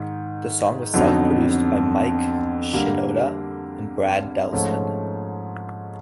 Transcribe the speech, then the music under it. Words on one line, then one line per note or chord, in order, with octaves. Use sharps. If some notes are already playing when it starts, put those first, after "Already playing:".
The song was self-produced by Mike Shinoda and Brad Delson.
Already playing: G#2 D#3
F2 D3 F#3 B3 D#4
D3 G3 A#3
G#2 F3 A3 C#4